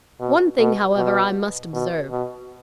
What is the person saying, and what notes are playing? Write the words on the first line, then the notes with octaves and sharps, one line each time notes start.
One thing, however, I must observe.
B2
B2
B2
B2
B2